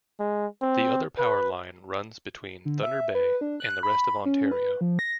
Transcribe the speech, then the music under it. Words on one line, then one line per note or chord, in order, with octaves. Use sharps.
The other power line runs between Thunder Bay and the rest of Ontario.
G#3
C4
B4
D3
E5
B4
D4
F#6
B5
C#4
B4
F3
A#6